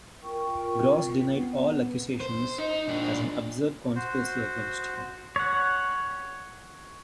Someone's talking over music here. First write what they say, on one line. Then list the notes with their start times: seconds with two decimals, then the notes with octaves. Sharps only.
Gross denied all accusations as an absurd conspiracy against him.
0.22 F4 A#4 G5 C#6
1.32 B3
2.20 C5
2.58 D#4
2.88 A#2 D4
3.96 F#4 C5
5.36 C#5 F#5